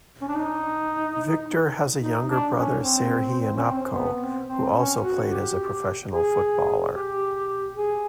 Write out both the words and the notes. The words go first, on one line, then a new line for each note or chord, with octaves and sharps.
Viktor has a younger brother Serhiy Onopko who also played as a professional footballer.
C#4
D4
D#4
D#4
D4
C#4
C4
C#4
C4
B3
C4
C4
C#4
F#4
G4
G#4
G4
G#4